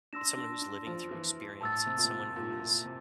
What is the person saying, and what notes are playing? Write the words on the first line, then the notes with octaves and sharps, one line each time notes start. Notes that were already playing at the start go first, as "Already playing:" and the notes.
it's someone who's living through experience. It's someone who is
D4 C6 E6 A#6 E7
D4
D4
F3
E3
A2 A5 E6 A6
C3
A#2
A#2
A#2
C3